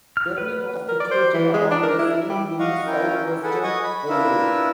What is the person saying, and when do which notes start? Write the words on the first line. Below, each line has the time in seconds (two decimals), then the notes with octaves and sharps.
Bernie was situated along the Saint Louis Southwestern Railway.
0.17 F6
0.38 B4
0.88 A#4
1.00 D5
1.11 C5
1.34 E3
1.54 G#3
1.71 D4
1.83 A#4
1.99 E4
2.11 E4
2.30 G3
2.59 D#5 F5 F#5 C#6
2.87 C#4 E4 F4 A#4 G5
3.43 G#4 A4 B4 F#5 G#5
3.63 D#5 F#5 G#5 C#6 D#6
3.84 B5
4.09 D4 E4 F4 A#4 B4 E5